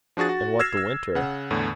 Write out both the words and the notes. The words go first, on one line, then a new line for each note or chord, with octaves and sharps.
And what the winter?
F3 D4 F#4 G#4 A6
F#4
E6 F6 G#6 A#6 C7 E7
E6
C#3 F#5
E2 A2 D3